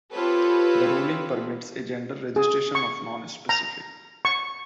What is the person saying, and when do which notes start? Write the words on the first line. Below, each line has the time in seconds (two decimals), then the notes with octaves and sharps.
The ruling permits a gender registration of "non-specific".
0.13 C4 F4 G4 A4 B4 C#5
2.36 G#4
2.75 C#6
3.49 A#5
4.25 C#6